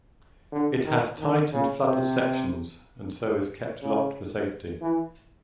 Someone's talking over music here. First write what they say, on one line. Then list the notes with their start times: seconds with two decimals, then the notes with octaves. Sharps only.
It has tight and flooded sections, and so is kept locked for safety.
0.52 D3
0.85 D#3
1.19 D#3
1.52 C#3
1.85 C3
3.81 C#3
4.81 E3